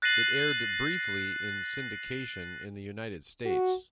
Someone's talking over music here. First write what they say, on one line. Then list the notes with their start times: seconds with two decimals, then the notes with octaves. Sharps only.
It aired briefly in syndication in the United States.
0.02 F#6 A6 A#6 C7 D#7 F#7
3.45 F#4